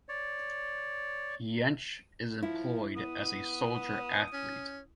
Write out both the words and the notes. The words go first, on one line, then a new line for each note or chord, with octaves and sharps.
Jentsch is employed as a soldier athlete.
C#5 D5
F3 E4
B3 D#6
C#4